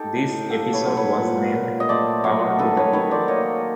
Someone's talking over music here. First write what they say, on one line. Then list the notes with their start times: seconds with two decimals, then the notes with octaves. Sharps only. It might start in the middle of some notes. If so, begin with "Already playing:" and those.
This episode was named "Power to the People".
Already playing: D#4 G4 A4
0.15 A2
0.50 A#3 G4 A4
0.73 B4 C#5
0.85 F#3
0.97 B4 C#5
1.20 A#2
1.55 A#2
1.80 D#5
1.89 A3 C5 D5
2.24 F#3 C#5 D#5
2.59 D#3 A4 B4
2.77 B4 C#5
2.93 D#3 B4 C#5
3.11 C5 D5
3.28 A#3 C#5 D#5